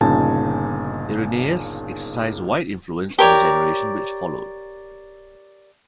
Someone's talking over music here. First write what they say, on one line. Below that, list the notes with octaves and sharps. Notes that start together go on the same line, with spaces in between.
Irenaeus exercised wide influence on the generation which followed.
G1 A#2 C#3 D#4 G#5 A5
G4 A#4 C#5 D5